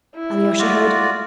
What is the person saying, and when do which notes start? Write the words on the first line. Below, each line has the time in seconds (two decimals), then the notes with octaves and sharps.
Alyosha heard.
0.16 E4
0.59 F4 F#4 D5